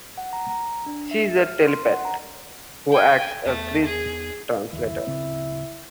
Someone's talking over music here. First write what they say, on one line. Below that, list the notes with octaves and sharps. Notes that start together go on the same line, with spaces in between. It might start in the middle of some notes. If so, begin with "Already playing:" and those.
She is a telepath who acts as Chris' translator.
F#5
A#5
A#5
D4
E5
F6
C6
F#5
A#5
G5 G#5
E2 A3
G#4
F#1 D#2 E4
D1 C#3 C4